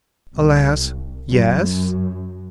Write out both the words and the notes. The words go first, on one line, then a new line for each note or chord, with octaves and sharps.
"Alas, yes."
C2
F#2